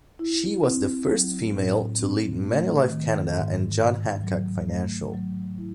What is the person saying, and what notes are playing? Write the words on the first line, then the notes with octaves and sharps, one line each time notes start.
She was the first female to lead Manulife Canada and John Hancock Financial.
E4
C4
F#3
A2
C4
A3
D#3
G#2
G#2
F#3
A3
F#3
E4